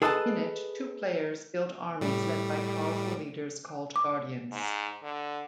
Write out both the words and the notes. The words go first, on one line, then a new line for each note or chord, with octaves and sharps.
In it, two players build armies led by powerful leaders called Guardians.
G#4 A4 B4 D#5 E5 A5
A2 G3
D6
G#2
D3